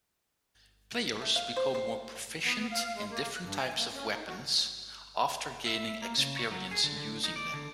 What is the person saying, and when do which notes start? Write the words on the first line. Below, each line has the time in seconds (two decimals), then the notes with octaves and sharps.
Players become more proficient in different types of weapons after gaining experience using them.
1.21 A3
1.36 F5
1.56 C5
1.75 C5
2.44 B3
2.71 F5
2.94 G#3
3.10 A#3
3.32 F#6
3.44 G2
3.58 G#5
3.78 A#3
3.94 C#4
4.11 D#4
4.27 F#4
5.66 E5
6.02 A#3
6.17 C#3
6.37 C#5
6.51 F#3
6.71 G#4
6.84 D3
6.96 D3
7.24 D#4
7.36 D5
7.54 D3